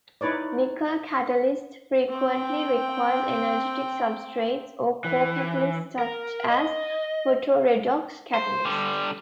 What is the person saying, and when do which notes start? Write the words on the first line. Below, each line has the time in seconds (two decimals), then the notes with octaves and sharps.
Nickel catalysts frequently require energetic substrates or co-catalysts such as Photoredox catalysts.
0.21 D#4 E4 B4 C#5 D5
2.10 C4 G5
5.04 E3
5.99 A#4
6.50 D#5
8.34 C5
8.65 D3 G3